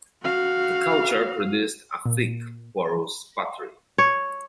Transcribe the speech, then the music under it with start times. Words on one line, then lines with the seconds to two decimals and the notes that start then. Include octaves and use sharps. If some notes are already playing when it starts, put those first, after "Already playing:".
The culture produced a thick, porous pottery.
0.23 F#4 F5
2.05 A#2
3.98 C#5